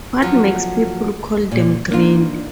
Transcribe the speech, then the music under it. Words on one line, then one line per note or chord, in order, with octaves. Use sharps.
What makes people call them green?
F3 F#3
A#2
A#3 D4 D#4 F4